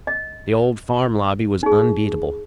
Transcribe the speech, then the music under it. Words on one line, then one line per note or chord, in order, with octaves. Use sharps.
The old Farm Lobby was unbeatable.
D#5
D#4 G#4